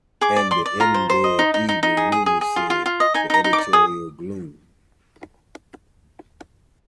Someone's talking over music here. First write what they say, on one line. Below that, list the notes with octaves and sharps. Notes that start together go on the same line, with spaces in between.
And the Edinburgh Evening News says, with editorial gloom.
G#4 D6
D5
D5 C6
D5
F4 A#5
C5
C5
D#5
D#4
D#4
D#4
D#4
G#4
G#4
G#4
G#4
F4
F4
F4
D#5
D#4 G#5
D#4 A#5
D#4
D6
D5
G#4 D#6